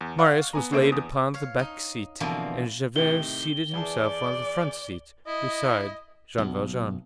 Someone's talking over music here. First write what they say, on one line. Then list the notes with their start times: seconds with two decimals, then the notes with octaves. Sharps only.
Marius was laid upon the back seat, and Javert seated himself on the front seat beside Jean Valjean.
0.01 E2
0.19 D5 F5 F#5 C#6
0.53 B3 G#5 A#5
0.72 D3 A#3 G#4 C5 E5 D7
0.92 E2 D#6
1.34 C#5 F5
1.59 D#4
2.20 B2 D3 E3 F3 A#3 C4
2.96 A2 C3 D#3 G7
3.74 E2 G#4 D5 A5
5.27 E4 D#5
6.38 B1